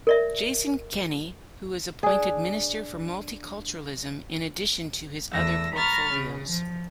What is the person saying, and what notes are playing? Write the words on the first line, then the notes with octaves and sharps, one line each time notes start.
Jason Kenney who was appointed Minister for Multiculturalism in addition to his other portfolios.
A#4 D5 E5
D4 G#4
E2 A3 E6 A#6
A#5 B5 C#6 F6 A6
C#3
F3